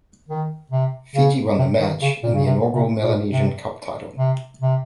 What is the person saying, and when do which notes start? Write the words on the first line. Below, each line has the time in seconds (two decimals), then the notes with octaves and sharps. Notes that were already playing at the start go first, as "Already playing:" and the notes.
Fiji won the match and the inaugural Melanesian Cup title.
0.29 D#3
0.72 C3
1.15 C#3
1.58 C3
1.80 D#3
2.01 C#3
2.23 A#2
2.34 C#3
2.45 C3
2.74 C3
3.02 A#2
3.32 C3
4.18 C3
4.61 C3